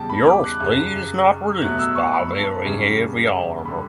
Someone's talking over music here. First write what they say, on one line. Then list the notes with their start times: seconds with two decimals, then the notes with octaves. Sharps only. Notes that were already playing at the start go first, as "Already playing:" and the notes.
Your speed is not reduced by wearing heavy armor.
Already playing: E2 C#3 G3 G5 A5
0.10 B5
0.27 D6
0.44 F#6
0.60 F#2 C#3 F#3 F#6
1.62 B2 F#3 A3 F#6
1.79 E6
1.95 C#6
2.13 B5
2.38 A5
2.64 F#2 C#3 G3
3.65 D3 G3 B5